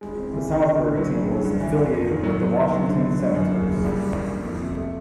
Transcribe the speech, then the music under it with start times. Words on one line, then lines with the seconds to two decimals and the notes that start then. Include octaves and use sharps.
The Salisbury team was affiliated with the Washington Senators.
0.01 G#3
0.18 C4
0.33 E3
0.49 D3
0.65 D3
0.81 D3
0.96 F#3
1.12 C#3
1.28 C#3
1.45 G2
1.60 E3
1.76 C#4
1.92 F2
2.07 D#3
2.24 F#3
2.40 B3
2.56 D#3
2.71 F#3
2.87 D3
3.03 D3
3.19 F#3
3.35 F#2
3.50 A#3
3.66 C#3
3.82 G3
3.97 G3
4.15 A#3
4.30 F3
4.45 F2
4.61 C3
4.77 A3